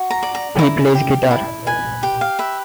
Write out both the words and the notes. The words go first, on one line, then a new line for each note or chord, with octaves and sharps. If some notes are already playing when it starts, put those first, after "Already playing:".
He plays guitar.
Already playing: F#4
A#5
D5
A#5
E4 A#5
G4
E4 A5
B4 G#5
G4 G5
F5
B4 E5